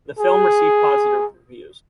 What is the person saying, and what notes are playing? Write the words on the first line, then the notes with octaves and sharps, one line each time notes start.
The film received Positive Reviews.
G#4